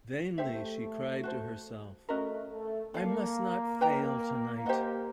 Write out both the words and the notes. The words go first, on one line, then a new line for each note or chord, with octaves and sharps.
Vainly she cried to herself, "I must not fail tonight."
A3 G4 C5 E5
F#4 A4 C5
A3 C#4 F#4 A#4 D#5
A3
A#3 A4 D5 F5
B4 D#5 G5 A#5
G4 C5 D#5 F#5